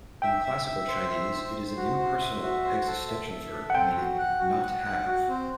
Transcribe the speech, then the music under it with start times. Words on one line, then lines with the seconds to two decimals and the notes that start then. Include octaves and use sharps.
In Classical Chinese, it is an impersonal existential verb meaning "not have".
0.22 E5 G5
0.44 E5
0.66 E5
0.88 C5
1.10 E5
1.33 C5
1.54 C5
1.77 F#4
1.99 C5
2.20 E5
2.42 F#4
2.64 C5
2.86 A4
3.08 E5
3.30 E5
3.52 A4
3.70 F#5
3.74 C4 G5
3.96 F#4
4.18 F#5
4.40 F#4
4.62 F#5
4.84 F#5
5.07 F#4
5.28 C4